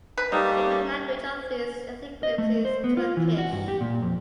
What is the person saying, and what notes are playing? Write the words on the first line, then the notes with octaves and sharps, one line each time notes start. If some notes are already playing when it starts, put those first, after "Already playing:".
The main language of these ethnic groups is Turkish.
B4
G3 A3 A#3 D#4 G4
D#5
A3
C5
B3
F4
E3
F#4
G2
G4
A#2
F2